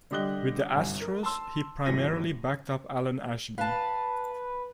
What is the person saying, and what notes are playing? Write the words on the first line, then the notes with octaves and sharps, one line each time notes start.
With the Astros, he primarily backed up Alan Ashby.
D3 G3 G4 D#5 F#6 G7
G1 C2 C#5 G#5
A#4
A5 C6 E6
G#1 D#2 E3 F#3 A#6 D#7
B4 F5 A5